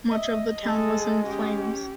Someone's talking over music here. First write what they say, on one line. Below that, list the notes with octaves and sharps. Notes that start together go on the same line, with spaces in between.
Much of the town was in flames.
D#5 E5
G#3 G#4 A4
C#4 G4